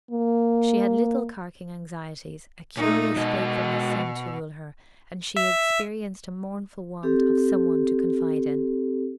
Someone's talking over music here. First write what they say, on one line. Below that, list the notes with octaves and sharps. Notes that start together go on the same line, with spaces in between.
She had little carking anxieties; a curious fatefulness seemed to rule her, and she experienced a mournful want of some one to confide in.
A#3
A#2 A3 D#4
B2 G#3 F#4 D#5
E5
C4 G4 A4